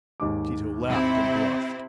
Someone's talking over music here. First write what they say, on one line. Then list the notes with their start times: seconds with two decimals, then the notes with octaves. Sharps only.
Tito laughed and blushed.
0.20 D#2 G#2 D6
0.88 C3 C4 E4